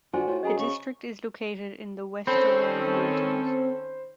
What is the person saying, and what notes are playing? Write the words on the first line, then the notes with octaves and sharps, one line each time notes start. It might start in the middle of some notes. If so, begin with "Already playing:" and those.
The district is located in the Westerwald mountains.
D3 F4 F#4 C5 G#5 C6
A2 F4
F#2 G#4 D#5 G#5 A#5
C#3 C#6
D#3 C4 C#4 A4 C5 B5